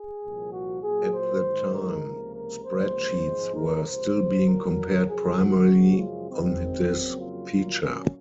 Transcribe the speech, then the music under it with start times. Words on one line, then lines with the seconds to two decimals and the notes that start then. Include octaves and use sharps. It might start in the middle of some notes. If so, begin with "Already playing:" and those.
At the time spreadsheets were still being compared primarily on this feature.
Already playing: G#4
0.22 C2 A#2 F3
0.53 F#4
0.83 A#2 F#3 A#3 G#4
1.13 C5
1.44 G#2 D#3 G#3
1.74 A#4
2.04 C#2 C3 F3 A#3
2.35 A#4
2.65 C#2 C3 F3 A#3 C5
3.26 G#2 F3 G#3
3.56 A#4
3.87 C#2 C3 F3 C5
4.47 C2 A#2 F#3 A#3 A#4
5.08 F#2 C#3 F3 G#4
5.38 F#4
5.69 F#2 C#3 F3 G#3
5.99 F4
6.30 F#2 D#3 G#3 C4
6.90 F2 C#3 F#3 A#3
7.21 F4
7.51 A#2 F#3 A#3
7.82 C#4